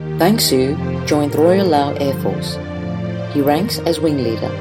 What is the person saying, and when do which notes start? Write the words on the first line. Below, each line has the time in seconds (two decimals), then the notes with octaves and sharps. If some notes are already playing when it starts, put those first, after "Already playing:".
Vang Sue joined the Royal Lao Air Force He ranks as Wing Leader.
Already playing: D#2 D#3 G4
0.12 G4
0.41 F2 C3 F3 G4
0.70 C5
0.99 A2 F3 A#4
1.28 A4
1.56 G2 D3 F3 C5
2.14 F2 D3 F3 D5
2.72 A2 F3
3.01 C5
3.29 F2 D#3 A#4
3.87 G2 D#3 C5
4.17 D5